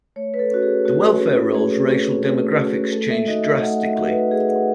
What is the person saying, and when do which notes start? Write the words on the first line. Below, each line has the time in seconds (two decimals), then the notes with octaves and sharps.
The welfare rolls racial demographics changed drastically.
0.16 A3 C#5
0.34 B4
0.39 A4
0.51 C#4 F#4
0.63 G#4
0.85 A3 F#4
1.20 C#4 F#4
1.54 A3 G#4
1.89 C#4 F#4
2.24 A3
2.58 C#4 F#4
2.93 A3 A4
3.10 E5
3.27 D#4 F#4 D#5
3.44 E5
3.62 A3 F#5
3.85 E5
3.97 D#4 F#4
4.08 B4
4.31 A3 G#4
4.49 F#5